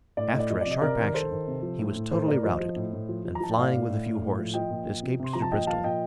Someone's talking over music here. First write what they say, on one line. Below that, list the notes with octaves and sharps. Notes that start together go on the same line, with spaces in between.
After a sharp action, he was totally routed, and flying with a few horse, escaped to Bristol.
A2 D5
D#5
A2
D5
F3 D#5
D5
C3 D#5
C3 A#4 D5
D#3
D#3 A4 C5
D#3
C3
F3
A2
A2
A2 A4 C5
A2 A#4 D5
F3 C5 D#5
F3
A2
A2
F3
F3
A#5
F3 A5
G5
A2 D5 F5
A2
A2
A2
A2
F3
F3 D#5 G5
A#2
F3
C3
C3 C6
F3 A#5
A5
A#2 D#5 G5
F3 F5 A5
A#2 D#5 G5